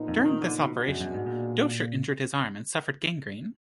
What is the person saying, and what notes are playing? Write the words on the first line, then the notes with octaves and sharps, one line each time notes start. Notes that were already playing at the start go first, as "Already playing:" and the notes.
During this operation, Docher injured his arm and suffered gangrene.
Already playing: A#2 F3 B3 D#4
F2
D#3
D3
B2
B2 G#3 B3 D4 F#4
F#2
F#2
G#2
A#2